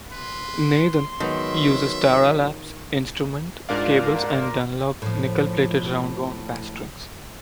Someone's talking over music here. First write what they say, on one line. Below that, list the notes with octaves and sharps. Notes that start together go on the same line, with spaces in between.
Nathan uses Tara Labs instrument cables and Dunlop nickel-plated roundwound bass strings.
B4 C6
D#3 F#3 G#3 B3 E5
G#2 D4 F4 A#4 D5 F5
A2 F3